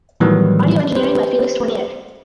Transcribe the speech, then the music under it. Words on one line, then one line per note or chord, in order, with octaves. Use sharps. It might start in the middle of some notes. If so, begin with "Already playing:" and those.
Audio engineering by Felix Tournier.
A2 D#3 E3 F#3 G3 B3
G4 B4 C5